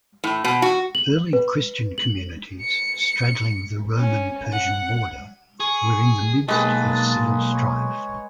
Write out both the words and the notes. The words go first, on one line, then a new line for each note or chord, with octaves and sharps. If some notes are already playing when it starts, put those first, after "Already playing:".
Early Christian communities straddling the Roman-Persian border were in the midst of civil strife.
A2
B2
F#4
F#7
B4
F#7
C#7
C#4
F#5
G#4 C#6
B1 G#3 A#3 B4 A5
C#5